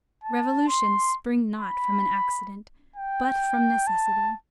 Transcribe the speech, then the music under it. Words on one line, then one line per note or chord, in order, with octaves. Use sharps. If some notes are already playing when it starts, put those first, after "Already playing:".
Revolutions spring not from an accident, but from necessity.
A5
C6
B5
G5
A5